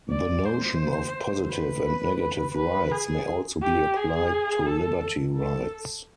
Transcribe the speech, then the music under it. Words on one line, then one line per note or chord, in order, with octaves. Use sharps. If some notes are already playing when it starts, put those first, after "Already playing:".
The notion of positive and negative rights may also be applied to liberty rights.
D5
C5
B4
B4
G#4
G4
G#4
A4
A4